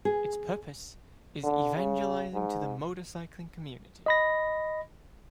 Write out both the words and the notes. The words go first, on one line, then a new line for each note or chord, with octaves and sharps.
Its purpose is evangelizing to the motorcycling community.
G#4
D3
C#3
G#2
D#5 B5 A#6